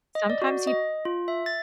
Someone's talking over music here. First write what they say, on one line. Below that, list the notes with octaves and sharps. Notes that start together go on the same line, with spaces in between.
sometimes you
D#5
D5
F#4
D#5
F4
E5
A6